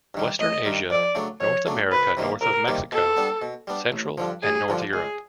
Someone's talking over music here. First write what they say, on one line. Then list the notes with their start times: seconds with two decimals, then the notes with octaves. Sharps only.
Western Asia, North America- north of Mexico, Central and North Europe.
0.14 G2 D#3 G3
0.39 A1 D#5
0.65 G2 D#3 G3
0.90 F2 D5
1.15 C#3 F#3 A3 D4
1.40 F2 C#5
1.66 C#3 F#3 A3 D4
1.91 C2 B4
2.17 C3 D#3 G3 A#3
2.41 C2 A#4
2.67 C3 D#3 G3 A#3
2.92 B2 A4
3.17 G3 B3 D4
3.42 B2
3.67 G3 B3 D4
3.92 A1
4.18 G2 D3 F3
4.42 A1 G#4
4.68 G2 D3 F3
4.93 C#2 G#4